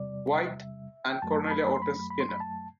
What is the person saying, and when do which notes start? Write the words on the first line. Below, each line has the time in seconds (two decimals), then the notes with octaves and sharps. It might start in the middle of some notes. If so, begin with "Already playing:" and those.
White, and Cornelia Otis Skinner.
Already playing: E2 C3 G3 D5
0.33 E5
1.12 G5
1.22 F#2 F#3 A3 A5
1.47 A5
1.51 B5
1.74 C6
1.82 B5
2.10 B5
2.21 C6
2.29 B5
2.40 A5